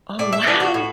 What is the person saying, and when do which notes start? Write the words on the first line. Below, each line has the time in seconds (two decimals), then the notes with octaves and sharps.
Oh, wow.
0.19 A2 D5
0.32 E5
0.46 E3 B3 D4 D5
0.60 F#4
0.74 A2